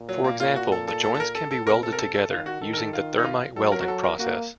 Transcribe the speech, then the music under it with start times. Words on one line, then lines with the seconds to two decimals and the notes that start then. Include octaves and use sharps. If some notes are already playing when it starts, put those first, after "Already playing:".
For example, the joints can be welded together using the thermite welding process.
Already playing: A#2
0.09 F#3
0.24 A#3
0.40 F4
0.56 F#4
0.72 A4
0.88 A4
1.03 A4
1.14 A4
1.20 A#4
1.35 A4
1.51 A4
1.67 C3 A#4
1.83 A4
1.93 A#4
1.99 A4
2.14 A4
2.29 D#3 F4
2.46 F#4
2.61 D#3 A4
2.73 A#4
2.77 A4
2.93 F4
3.18 D#4
3.24 F4
3.56 F#3 A4
3.72 A#4
3.80 F#4
3.88 A4
4.03 A#4
4.19 A#3 F#4